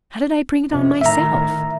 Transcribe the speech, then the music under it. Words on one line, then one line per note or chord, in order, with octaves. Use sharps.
"How did I bring it on myself?"
F2 C3
A2 D#3 E5 A#5